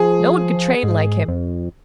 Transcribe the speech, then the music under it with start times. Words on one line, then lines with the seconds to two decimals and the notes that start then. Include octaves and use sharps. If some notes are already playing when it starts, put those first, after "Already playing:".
No one could train like him.
Already playing: F3 G#4
0.83 G#2
1.28 F2